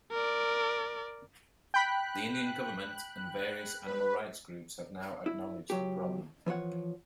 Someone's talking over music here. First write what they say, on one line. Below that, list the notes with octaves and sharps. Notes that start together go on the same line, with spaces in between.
The Indian government and various animal-rights groups have now acknowledged the problem.
A#4 D5
G5 B5 F#6 B6
B4
E4
C#2 F#3 G4
E3 F3 C#5 F#5